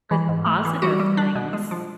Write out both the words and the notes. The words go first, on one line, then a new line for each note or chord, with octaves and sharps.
With positive things.
E3
G#2
A3
E3
G3 F#4
G3
D4
B2
G#3
F3